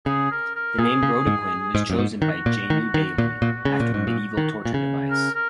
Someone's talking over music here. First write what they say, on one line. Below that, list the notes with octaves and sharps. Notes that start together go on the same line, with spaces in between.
The name Brodequin was chosen by Jamie Bailey, after the medieval torture device.
C#3 G#4
A#4
A#4
A#2 G#4
C#3
G#2
G#2
F#2
G#2
D#3 F#4
A#2
D#3
D#3
A#2
A#2
C#3
A#2
G#2
A#2
D#3
A#2
C#3
A#4
A#4